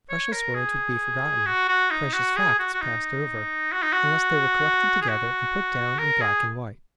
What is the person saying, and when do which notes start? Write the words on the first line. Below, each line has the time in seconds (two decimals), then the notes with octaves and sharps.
Precious words would be forgotten, precious facts passed over, unless they were collected together and put down in black and white.
0.09 C#5
0.32 A#4
0.55 G#4
1.46 F#4
1.68 F#4
1.91 D#4
2.13 F#4
2.36 G#4
2.59 F#4
2.74 F#4
2.81 D#4
3.72 F#4
3.83 D#4
3.93 F#4
5.01 G#4
5.08 F#4
5.98 A#4
6.21 G#4